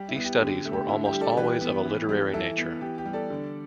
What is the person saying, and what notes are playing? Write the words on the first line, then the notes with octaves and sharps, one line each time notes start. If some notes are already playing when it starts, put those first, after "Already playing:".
These studies were almost always of a literary nature.
Already playing: G3 G4
E4
B3
G4
D3 G4
A3
G4
D3 E4
G4
G3
A4 D5
E3 G4 B4
B3
E3
G3
E3 E4 A4
B3
E3 G4
G4
G3
A4 D5
D3